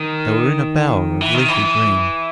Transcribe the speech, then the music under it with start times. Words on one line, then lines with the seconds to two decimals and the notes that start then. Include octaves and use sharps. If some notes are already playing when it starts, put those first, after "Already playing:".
They were in a bower of leafy green.
Already playing: D#3
1.21 E3
1.34 D#3
1.48 E3